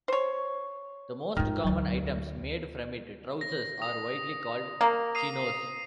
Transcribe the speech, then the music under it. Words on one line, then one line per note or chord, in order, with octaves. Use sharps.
The most common items made from it, trousers, are widely called "chinos".
C5 C#5
G#2 D#3 F4
D2 F#3
A#6
D#6
A#3
D#6 C7 D#7